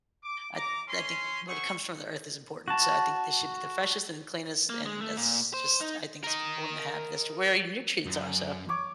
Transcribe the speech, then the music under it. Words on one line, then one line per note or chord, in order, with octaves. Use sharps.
I I think when it comes from the earth is important, so I think this should be the freshest and the cleanest, and that's just I think it's important to have this to where your nutrients are, so,
D6
A#5 D6
C#4 C6
E4 G#4 C5 F#5 C#6
F#4 A5
A#3
G#3
A3
A#2
C5
D#4
A#4 D#5
F#2
C#5 D6